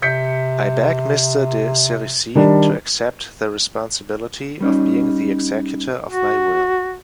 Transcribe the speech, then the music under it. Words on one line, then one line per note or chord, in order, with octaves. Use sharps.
I beg Mr. de Sérisy to accept the responsibility of being the executor of my will.
C3 G6 B6 C#7
D#3 G3 D4
G3 C#4 D#4
F#4